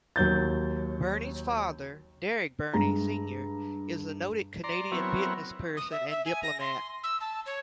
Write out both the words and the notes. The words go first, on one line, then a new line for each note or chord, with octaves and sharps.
Burney's father, Derek Burney Senior is a noted Canadian businessperson and diplomat.
D#2 F#3 G6 A6
G2 G#3 A#5
D5 A#5 C6
F#3 B3 C4 E4 A#4 C#5
D#6
E5
E5
G#5
A#6
C6
E6
A5
C#5